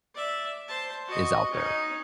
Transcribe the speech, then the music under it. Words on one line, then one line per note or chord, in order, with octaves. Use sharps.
is out there.
D5 E5
C5 A5
F#4 D#5
C#4 D#4